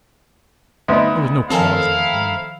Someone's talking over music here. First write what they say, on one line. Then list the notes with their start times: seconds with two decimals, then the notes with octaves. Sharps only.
There was no clause in the agreement.
0.88 D2 B3 D#4 E5 C6
1.50 D#3 F3 C4 E4 A4 A#4 F5 G#5